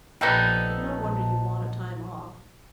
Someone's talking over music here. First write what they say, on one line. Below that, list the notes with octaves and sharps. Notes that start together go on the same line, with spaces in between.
But no wonder you want a time off.
A#1 F3 G3 A#3 B3 D#4 A4